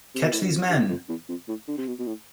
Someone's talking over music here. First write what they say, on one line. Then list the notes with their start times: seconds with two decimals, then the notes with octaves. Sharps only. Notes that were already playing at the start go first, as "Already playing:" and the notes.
Catch these men!
0.15 C3
0.23 B2
0.33 A2
0.40 G2
0.50 F2
0.69 G2
0.89 F2
1.09 E2
1.29 F2
1.48 A2
1.68 D3
1.78 C3
1.87 B2
1.99 B2
2.07 A2